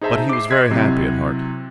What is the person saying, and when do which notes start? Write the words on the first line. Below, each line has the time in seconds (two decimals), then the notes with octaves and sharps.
But he was very happy at heart.
0.01 D#4 G#4 C5 E5 A5 A#5
0.29 D6 C7
0.50 D#5 C6 F#6 G#6 B6
0.70 C3 F#3 E4 C5